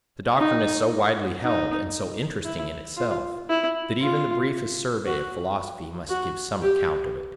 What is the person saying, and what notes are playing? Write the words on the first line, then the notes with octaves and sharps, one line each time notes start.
The doctrine is so widely held, and so interesting in itself, that even the briefest survey of philosophy must give some account of it.
D#4
D#4
E4
F4
E4
F4
F#4
F#4
G4